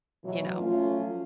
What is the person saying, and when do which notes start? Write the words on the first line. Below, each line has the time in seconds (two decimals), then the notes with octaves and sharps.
You know?
0.24 B2 E3 F#3
0.58 F3 F#3 A3 C#4 F4